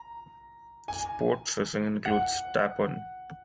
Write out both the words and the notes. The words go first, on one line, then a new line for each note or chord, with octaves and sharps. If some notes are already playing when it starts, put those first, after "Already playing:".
Sport fishing includes tarpon.
Already playing: A#5
G#5
F#5